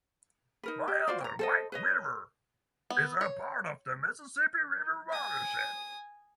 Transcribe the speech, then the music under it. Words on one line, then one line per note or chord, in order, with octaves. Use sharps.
Via the White River, it is part of the Mississippi River watershed.
D#4 A#4 B4
G4
F4 F#4 C5 D5
G5 A#5
A4 C5 D#5
B4 C#5 D#5
B3
C#5
G#5 D#6